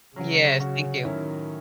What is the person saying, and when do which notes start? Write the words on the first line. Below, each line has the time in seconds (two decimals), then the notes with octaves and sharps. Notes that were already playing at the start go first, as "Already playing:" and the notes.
Yes. Thank you.
0.16 C#3 F#3 C#4 F#4
0.60 F#3 C#4 F#4
1.04 A2 D#3 F#3 C#4 E4